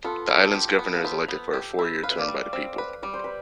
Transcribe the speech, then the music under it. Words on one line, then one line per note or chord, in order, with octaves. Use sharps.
The island's governor is elected for a four-year term by the people.
B3 F4 A4
B3
G4
B3
F5
B3 C5 E5
B3
G4
E4
B4 F5
E5
D5 F5
G3
C4
B4
G3 D5
C5
B4